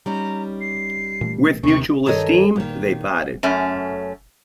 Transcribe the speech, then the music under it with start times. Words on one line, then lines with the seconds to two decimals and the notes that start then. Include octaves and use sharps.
With mutual esteem they parted.
0.06 G3 C#4 D#4 A#5
0.61 C7
1.21 A#2 E3 A3
1.64 D#2 C3 D#3 B3 C#4 C#6
2.06 G2 D#3 A4 C#5 D#5
2.56 A#2 D#3
3.43 F#2 A3 C#4